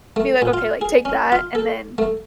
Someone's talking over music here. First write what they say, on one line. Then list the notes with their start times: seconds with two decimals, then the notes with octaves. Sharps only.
be like, okay, like, take that, and then
0.16 A3
0.42 A#2
0.53 F4
0.81 G#4
1.05 C#4
1.32 F4
1.55 A4
1.98 A3